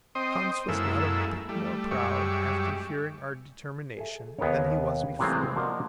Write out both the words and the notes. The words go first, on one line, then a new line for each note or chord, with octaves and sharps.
Hans was not a bit more proud after hearing our determination than he was before.
C4 C5 D#5 G5 C6 D#6
F#2 G#3 A#3 E4 A4 E6
G3 A3
F#2 G3 G#3 G4 E5 C#6
G#4 A4 E5
D#2 B3 G#4 A#4 C#5
C3 E3 F#3 G#3 A3 C4
F3 A#3 F#4 D5 D#5